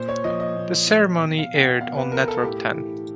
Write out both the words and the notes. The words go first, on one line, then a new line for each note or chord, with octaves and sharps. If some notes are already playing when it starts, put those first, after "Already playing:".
The ceremony aired on Network Ten.
Already playing: A#2 C5
C#5
F3 D#5
D#5
A#2
F3
B2
F5
G5
F#5
B2 F5
B4
A#4
A4
A2 G4
E3